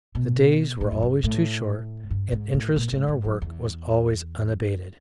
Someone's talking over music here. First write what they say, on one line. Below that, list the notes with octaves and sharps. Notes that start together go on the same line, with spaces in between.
The days were always too short, and interest in our work was always unabated.
B2
A2
F#2
G2
A2
G2
G#2
A2
A#2
G#2
G#2
F#2
E2